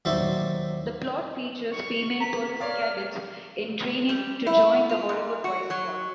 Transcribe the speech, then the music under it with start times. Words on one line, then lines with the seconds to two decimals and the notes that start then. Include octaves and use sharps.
The plot features female police cadets in training to join the Hollywood vice squad.
0.05 D#2 F#3 D#4 C5 D5 E5
1.71 C#6
2.20 A#5 B6
2.60 A#4 C#5 D5 F5 F6
4.09 G3
4.46 E4
4.89 F4
5.09 G#2
5.44 F#4
5.70 F#3